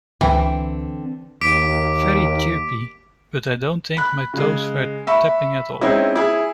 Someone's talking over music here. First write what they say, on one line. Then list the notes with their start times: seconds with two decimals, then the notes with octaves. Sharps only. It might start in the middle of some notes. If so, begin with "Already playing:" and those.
Very chirpy, but I don't think my toes were tapping at all.
0.21 C#2 D3 E3 C4 G5
1.41 D#2 D6 B6 D7
3.97 B5 F#6
4.34 C#3 G#3
5.07 E5 B5 C#6
5.81 G#3 C4 C#4 D#4 E4
6.15 E4 G#4